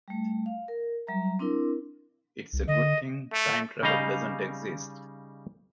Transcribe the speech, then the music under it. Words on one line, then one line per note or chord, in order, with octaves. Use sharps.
It's a good thing time travel doesn't exist.
G3 A3
F5
A#4
F#3 G3 E5 A#5
C4 D4 E4 A#4
C2
D3 D#5
A3
C#3 G3 D#4 D#5 F5 A#5